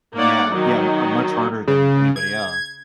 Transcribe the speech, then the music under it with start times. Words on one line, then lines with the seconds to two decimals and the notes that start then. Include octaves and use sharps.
Yeah. Yeah, uh, much harder than anybody else.
0.14 A#3 D#4 C#5 D5 F#5
0.49 D#3 F#3 D#4
1.68 C#3
2.16 G#6